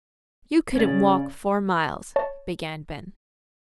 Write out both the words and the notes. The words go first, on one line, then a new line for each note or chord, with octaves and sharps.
"You couldn't walk four miles," began Ben.
C#3 C#4 D5
C#5 A5